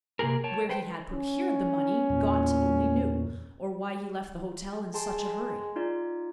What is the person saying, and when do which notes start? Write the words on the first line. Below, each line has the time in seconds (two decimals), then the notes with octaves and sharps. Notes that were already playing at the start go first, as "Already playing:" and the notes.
Where he had procured the money "Gott" only knew, or why he left the hotel in such a hurry.
0.19 C3 A#3 G4 G#4 A#4
0.44 C#5 G5 A5
0.69 B4 C5 G5
1.11 C#4
2.10 E2 A#2
4.94 G#3 G5 A5 C6
5.76 D#4 F4 D5